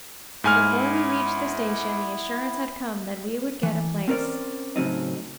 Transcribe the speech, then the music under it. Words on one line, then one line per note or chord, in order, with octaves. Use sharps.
And before we reached the station the assurance had come that we would get a place.
G#2 B3 E4 G#5 F6
E3
C4 C#4 A#4 C5 D5
A2 C#3 F#3 C4 D#4